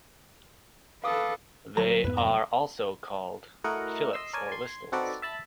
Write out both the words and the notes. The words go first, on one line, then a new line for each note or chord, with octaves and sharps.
They are also called fillets or listels.
A4 B4 F5 D6 D#6
D2 F#3 A#5
F2 G#2 B3 B4
C2 F#2 A#5
A3 E4 F#4 A#4 D#5 F#5
D#5 C6 E6
A#4 C#5 D5 G#5 A5
C6 G#6
C4 D#4 F#4 A4 B4 D5
E5 A5 B5